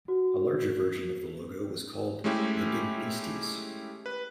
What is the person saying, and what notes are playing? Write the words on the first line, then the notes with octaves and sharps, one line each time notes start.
A larger version of the logo was called the "Big Beasties".
F#4
G#3 A3 C#4 E4 G4
B4